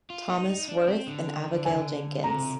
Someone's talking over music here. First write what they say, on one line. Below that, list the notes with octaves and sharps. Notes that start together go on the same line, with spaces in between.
Thomas Worth and Abigail Jenkins.
F4
D#4
D#4
D4
C4
D3
G#5
C3 A#5